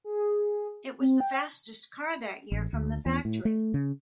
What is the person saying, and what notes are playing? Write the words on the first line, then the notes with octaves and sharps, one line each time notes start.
It was the fastest car that year from the factory.
G#4
C4
G5
A1
D2
E2
A2
A3
C#3